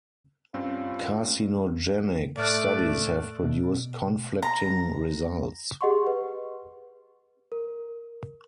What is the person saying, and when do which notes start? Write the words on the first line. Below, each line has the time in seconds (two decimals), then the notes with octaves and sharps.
Carcinogenic studies have produced conflicting results.
0.54 G2 C4 C#4 F4
2.37 A2 A3 D5 F6 F#6
3.44 B2
4.42 A#5
5.81 G4 G#4 D#5 F#5 C6 C#6
6.07 B4
7.52 A#4